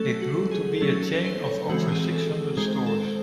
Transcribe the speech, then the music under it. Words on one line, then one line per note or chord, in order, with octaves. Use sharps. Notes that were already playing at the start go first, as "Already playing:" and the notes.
It grew to be a chain of over six hundred stores.
Already playing: F#3 A3 C#4 A4
F#4
G#4
F#3 A3 C#4 A4
A4
C5
C#5
E3 G#3 C4 F#4
G#4
A4
D#3 G#3 C4 C5
A4